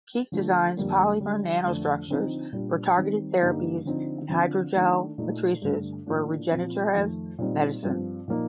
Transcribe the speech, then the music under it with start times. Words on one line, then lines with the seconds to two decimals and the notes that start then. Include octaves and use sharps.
Kiick designs polymer nanostructures for targeted therapies and hydrogel matrices for regenerative medicine.
0.32 D3 F3 A3
0.76 F2 D3 G3 A#3 D4
1.20 D3 G3 D4
1.64 F2 D3 A3 D4
2.08 D3 F3 C4 D#4
2.52 A#2 G3 D4
2.97 D#3 G3 C4
3.42 G2 D3 G3 A#3 D#4
3.85 D3 F3 C4 D#4
4.29 D3 F3 C4
4.74 D#3 A3 D4
5.18 A#2 A3 D#4
5.62 G2 D3 A3
6.06 A2 F3 A#3 D4
6.50 A#2 F3 C4
6.95 F2 D#3 A3
7.38 A#2 G3 C4 D#4
7.83 G2 F3 C4
8.28 A#2 F3 A#3 D#4